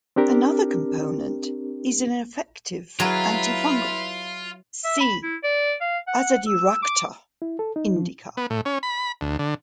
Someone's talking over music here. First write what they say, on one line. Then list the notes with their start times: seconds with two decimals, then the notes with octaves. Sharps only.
Another component is an effective anti-fungal; see "Azadirachta indica".
0.16 C4 D4 G4 A#4
3.00 F#3 E4 F4 G#4 B4 F5 A#5
4.84 E5
5.00 B5
5.23 E4
5.44 D5
5.81 F5
6.08 F#5
6.47 E6
6.83 D6
7.42 E4
7.59 A4
7.76 D#4
7.96 F3
8.37 B3
8.50 A2
8.65 C#4
8.83 B5
9.21 D2
9.39 D3